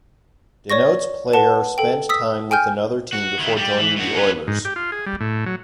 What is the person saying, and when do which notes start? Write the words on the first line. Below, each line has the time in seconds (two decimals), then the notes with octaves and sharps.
Denotes player spent time with another team before joining the Oilers.
0.70 C#5 D5 C#6 A#6
1.33 B4 F#5 A5
1.78 A4 G5
2.09 D#6 E6 B6
2.51 G5 G#5 F6 G6
3.13 F#4
3.39 D#3 E4
3.57 G3 G4
3.78 E3
3.96 A2 F#4
4.16 C#4 B4
4.47 G#2
4.65 G4
4.76 F4
4.92 G#4
5.06 G3
5.21 A2
5.46 F#3